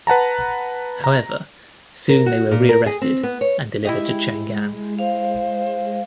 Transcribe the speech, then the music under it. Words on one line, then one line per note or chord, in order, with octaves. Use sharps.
However, soon they were rearrested and delivered to Chang'an.
B4 F#5 A5 A#5
A#5
A#4
F#4
A#2
A#4
G#4
C4
B3
C#5
G#3 E4 G4 D#5
C5 F5